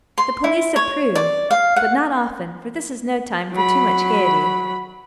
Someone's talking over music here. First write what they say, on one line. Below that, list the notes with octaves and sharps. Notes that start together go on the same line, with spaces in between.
The police approve--but not often, for this is no time for too much gaiety.
C6
E4
C#5
D5
F5
F#5
F#3 B5